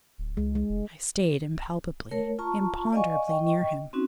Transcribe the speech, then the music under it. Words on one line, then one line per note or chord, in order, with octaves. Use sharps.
I stayed impalpably, imponderably near him.
D1
C#2 G#3
G#3
F1
A3 A#4 C#5
F4 A5 A#5 C#6
D5 D#5 F5 G#5 C#6
D#5 G5 C#6
C4 C#4 D#4 F#4